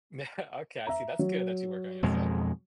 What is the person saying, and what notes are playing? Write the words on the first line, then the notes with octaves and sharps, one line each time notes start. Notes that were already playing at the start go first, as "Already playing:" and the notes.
Yeah, okay, I see, that's good that you work on yourself.
E5 A#5
F#3
F2 B2 G#3